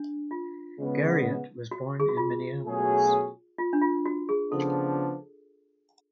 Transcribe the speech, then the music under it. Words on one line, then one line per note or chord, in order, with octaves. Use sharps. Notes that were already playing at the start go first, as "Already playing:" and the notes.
Garriott was born in Minneapolis.
Already playing: D4
F4
C#3 G#3 B3
F#4
G#4
F#4
F4
B2 F#3 A3 C#4 G#4
F4
D4
F4
F#4
G#4
C#3 F3 B3 D4 A4